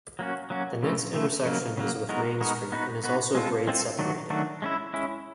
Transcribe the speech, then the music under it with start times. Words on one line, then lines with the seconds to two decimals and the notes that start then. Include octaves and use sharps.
The next intersection is with Main Street and is also grade-separated.
0.19 F#3 A#3 C#4 F#4
0.50 F#3 A#3 C#4 F#4
0.83 C#3 F3 A3
1.14 C#3 F3 A3
1.46 C#3 F#3 A#3
1.77 C#3 F#3 A#3
2.09 G#3 B3 D#4 F#4 A#4
2.41 G#3 B3 D#4 F#4 A#4
2.72 B3 D#4 F#4 B4
3.04 B3 D#4 F#4 B4
3.35 G#3 C4 F4 A4
3.67 G#3 C4 F4 A4
3.99 D#3 F#3 A3 D4 F#4
4.30 D#3 F#3 A3 D4 F#4
4.62 G#3 C#4 E4
4.93 G#3 C#4 E4